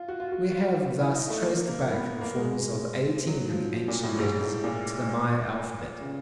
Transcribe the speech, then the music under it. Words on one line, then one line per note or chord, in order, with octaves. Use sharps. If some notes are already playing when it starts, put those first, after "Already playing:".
We have thus traced back the forms of eighteen of the ancient letters to the Maya alphabet.
Already playing: F4
F#4
F4
F#4
F4
F#4
F4
E4
D#4
A3
A#3
A#3
B3
A#3
G#3
F#3
F3
A#2
A2
G#2
A2
A#2
C#3